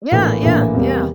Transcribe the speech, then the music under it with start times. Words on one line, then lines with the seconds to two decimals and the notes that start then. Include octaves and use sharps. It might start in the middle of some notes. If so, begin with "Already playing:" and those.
Yeah, yeah, yeah,
0.12 A#1 A2 E3 A#3
0.43 A#1 A2 E3 A#3
0.74 E2 C3 G3 A#3